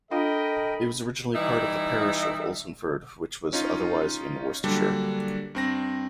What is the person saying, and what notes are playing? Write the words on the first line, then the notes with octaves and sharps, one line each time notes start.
It was originally part of the parish of Oldswinford, which was otherwise in Worcestershire.
D4 F4 A4 A#4 D#5 F5 G5 B5
E3 G3 D#4 E4 E5
C#4 D#4 F4
D3 F#3 G3 A#3 D4
G2 C4 A#6